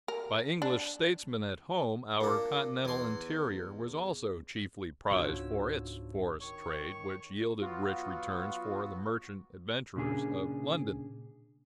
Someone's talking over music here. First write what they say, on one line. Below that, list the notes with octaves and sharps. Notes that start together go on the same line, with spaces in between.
By English statesmen at home, our continental interior was also chiefly prized for its forest trade, which yielded rich returns for the merchant adventurers of London.
A#4
D4
A#2 D4
E2 C6
C#2 G#2 B3 D4 F4 F#4 C#5 E6
D#3 C#5 C#6
F#3 B3 F4 F#4
A#2 C#3 D4 G#4